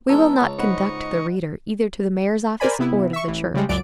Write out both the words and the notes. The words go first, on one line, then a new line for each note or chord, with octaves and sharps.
We will not conduct the reader either to the mayor's office or to the church.
E2 G#3 A5 A#5 E6
C#2 C#5
D#4 C5 D#5 F#5 B5 C#6
A#4 C5 D5 G#5 B5
C3 B3 E4
E5 C#6
A1 E3
C#3 G3 G#3
C#2 F#2 F#3 D5 D7